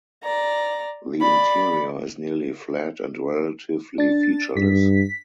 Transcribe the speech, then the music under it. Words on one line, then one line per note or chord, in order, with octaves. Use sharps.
The interior is nearly flat and relatively featureless.
D5 A#5
D5 B5
D4 A6
G2 B6